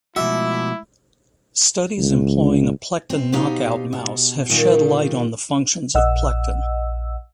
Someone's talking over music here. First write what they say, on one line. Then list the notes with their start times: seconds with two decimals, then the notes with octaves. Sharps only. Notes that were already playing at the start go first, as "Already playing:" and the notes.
Studies employing a plectin knockout mouse have shed light on the functions of plectin.
0.16 B2 F3 G#3 A3 E4 F#4 E5 D6
1.98 C#2
3.10 C4
3.32 B2 D#4 G4 C5 F5
3.93 B2
4.50 A#2 D#3 G3
5.94 A#1 D#5 F#5 E6